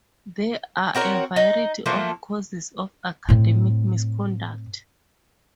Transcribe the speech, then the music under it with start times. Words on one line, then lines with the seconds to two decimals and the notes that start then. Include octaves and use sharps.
There are a variety of causes of academic misconduct.
0.95 C4 F#4 A#4 C#5
1.36 D#4
1.86 F3 F#3 A3 A#3
3.29 A2 C4